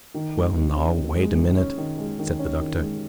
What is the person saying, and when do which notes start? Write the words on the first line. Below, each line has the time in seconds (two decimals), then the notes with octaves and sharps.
"Well now--wait a minute," said the Doctor.
0.15 D#3
0.35 G#3
0.55 D#3
0.76 C#4
0.97 D#3
1.17 G#3
1.37 D#3
1.57 C#4
1.78 D#3
1.98 G#3
2.19 D#3
2.39 C#4
2.60 D#3
2.80 G#3